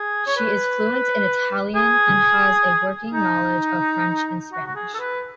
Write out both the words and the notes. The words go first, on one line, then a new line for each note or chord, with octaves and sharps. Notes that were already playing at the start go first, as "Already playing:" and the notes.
She is fluent in Italian and has a working knowledge of French and Spanish.
Already playing: G#4
C#5
B4
G#4
D#4
F#4
F#4
G#4
A4
B4